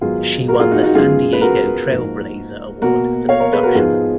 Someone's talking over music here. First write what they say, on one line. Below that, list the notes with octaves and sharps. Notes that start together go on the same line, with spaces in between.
She won the San Diego Trailblazer award for the production.
G#2 D#3 F#3 B3 F4 G#4
F#4 A#4
F4 G#4
D#4 F#4
D#4 F#4
F#2 C#3 G#3 B3 F4 G#4
B4
F#4 A#4
G#2 F3 A#3
B2 A#3 F#4 A#4
C#5 F5
A#4 C#5
G#4 B4
F#4 A#4
G#2 F3 G#3 B3 F4 G#4